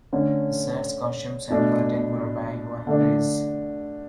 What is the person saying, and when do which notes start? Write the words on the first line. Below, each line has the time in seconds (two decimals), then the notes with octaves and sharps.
The sets, costumes, and curtain were by Juan Gris.
0.13 D3 A3 C#4
1.50 B2 A3 D4
2.87 D3 A3 D4